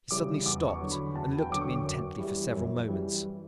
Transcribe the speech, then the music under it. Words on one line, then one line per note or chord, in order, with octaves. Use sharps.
He suddenly stopped and looked at me intently for several moments.
C#3 E3 G3 D6
E2 D6
C#6
D3 F#3
B5
E2 A5
G5
D3 F#3 D6
C#6
F#2
E3 G3
F#2
E3 G3